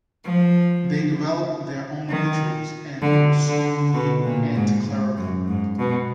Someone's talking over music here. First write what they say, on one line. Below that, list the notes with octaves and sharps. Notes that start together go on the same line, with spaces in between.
They developed their own rituals, and were strongly anticlerical.
F3
D#3
D3
D3
B2
A#2
G#2
G#2
F#2
G#2
B2